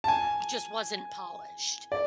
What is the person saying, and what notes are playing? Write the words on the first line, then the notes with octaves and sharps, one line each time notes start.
just wasn't polished
A5
G#5
D5